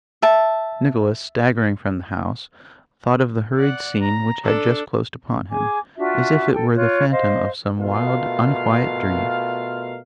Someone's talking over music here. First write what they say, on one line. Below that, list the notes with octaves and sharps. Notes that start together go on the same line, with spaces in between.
Nicholas, staggering from the house, thought of the hurried scene which had just closed upon him, as if it were the phantom of some wild, unquiet dream.
E5 A5
D5 F#5
A#5
D4 A4
G#4 G#5 D6
D4 F4 F#4 E5
A4 G5
F4 C#5 F#6
C5 D#5 F5
B2 A3 F4 A#4 F5